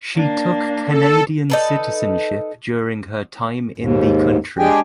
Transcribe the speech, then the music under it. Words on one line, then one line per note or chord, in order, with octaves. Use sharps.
She took Canadian citizenship during her time in the country.
A#3 D4
A4
D#4 A4 B4
D#2 G#2
G#3 D4 G4 G#4 G5 G#5